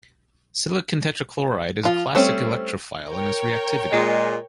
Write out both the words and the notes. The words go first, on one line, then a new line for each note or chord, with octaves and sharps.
Silicon tetrachloride is a classic electrophile in its reactivity.
F3 F4
G3 A3 C4 C#4
A#4 C#5 G5
A#2 G#3